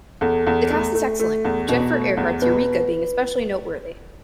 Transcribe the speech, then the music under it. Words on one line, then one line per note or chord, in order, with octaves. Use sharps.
The cast is excellent, with Jennifer Earhart's Yurika being especially noteworthy.
E2 A4
E2
A3
A3
A3
E2
B2
A3
E2
B2 B4